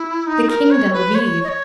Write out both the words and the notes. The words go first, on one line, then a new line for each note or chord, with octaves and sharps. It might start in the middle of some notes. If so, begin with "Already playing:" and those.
The kingdom of Eve.
Already playing: E4
D#4
A#4
C#5
B4
C#5
D#5
C#5